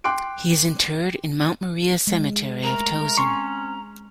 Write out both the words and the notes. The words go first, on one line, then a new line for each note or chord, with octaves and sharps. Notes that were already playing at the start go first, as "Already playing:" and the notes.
He is interred in Mount Maria Cemetery of Towson.
G5 C6 D6 F#6 D7
G#3
A3 A#4 A#5
C4 C#4 C6 C#6